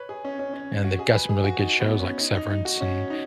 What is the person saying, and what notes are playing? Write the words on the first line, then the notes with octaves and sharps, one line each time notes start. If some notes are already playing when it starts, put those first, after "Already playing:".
and they've got some really good shows like Severance, and,
Already playing: B4 C#5
G#4
C#4
C#4
C#4
F#4
G#4
B4
G#4
F#4
D#4
B3
C#4
D#4
D#4
D#4
F#4
C#4
D#4